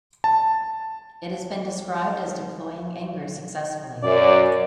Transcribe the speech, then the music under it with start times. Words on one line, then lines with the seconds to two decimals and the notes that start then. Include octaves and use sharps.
It has been described as deploying anger successfully.
0.24 A5
4.03 F#2 D5